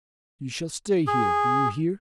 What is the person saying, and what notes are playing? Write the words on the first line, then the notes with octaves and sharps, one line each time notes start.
You shall stay here, do you hear?
G#4